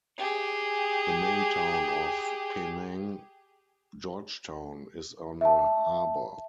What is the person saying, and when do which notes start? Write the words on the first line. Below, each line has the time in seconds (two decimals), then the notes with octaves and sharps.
The main town of Penang, George Town, is on a harbor.
0.18 G4 G#4
5.41 E5 A5